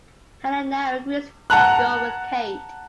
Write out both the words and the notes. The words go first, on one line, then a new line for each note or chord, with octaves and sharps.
Helena agrees to go with Kate.
F#5 A5 A#5 F#6